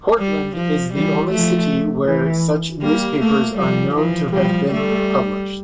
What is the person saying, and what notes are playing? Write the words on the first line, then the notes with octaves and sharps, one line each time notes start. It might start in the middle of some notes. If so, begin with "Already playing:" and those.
Portland is the only city where such newspapers are known to have been published.
G3
F3
E3 G3
F3 A3
E3
G3 A#3
A3 A#3
F3 G3
E3 F3
F3 G3
G3 A3